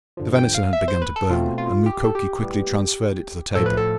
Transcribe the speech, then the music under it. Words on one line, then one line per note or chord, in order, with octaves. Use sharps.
The venison had begun to burn, and Mukoki quickly transferred it to the table.
G2 D3 F3
G5
F5
E5
C5
B4
A4
B2 A3 C4 F4
F4
G4
A4
G4
A2 G3 B3
A2 F3 A3 A4
B4
A4